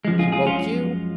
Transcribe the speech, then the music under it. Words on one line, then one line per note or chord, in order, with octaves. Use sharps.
"He woke you?"
F#2 F3 G#3
F4 G#4
F4 G#4
C#4 F4